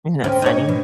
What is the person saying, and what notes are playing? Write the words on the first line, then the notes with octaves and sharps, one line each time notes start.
Isn't that funny?
D2 C4 C#4
D#4 C#5
B2